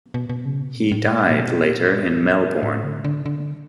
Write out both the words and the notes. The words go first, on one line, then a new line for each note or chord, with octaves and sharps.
He died later in Melbourne.
B2
B2
C#3
B2
A#2
A2
A#2
A#2
B2
A#2
A2
D3
D3
D3